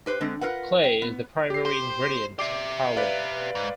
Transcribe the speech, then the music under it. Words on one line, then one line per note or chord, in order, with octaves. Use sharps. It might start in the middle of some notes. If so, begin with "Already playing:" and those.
Clay is the primary ingredient of kaolin.
G4 B4 C5
D3 G#3 C4
F4 A#4 B4 F#5
G5
B3
G4 C7
C5 C6
G4 D5 E5 D6 C7
B4 D5 F5
G#2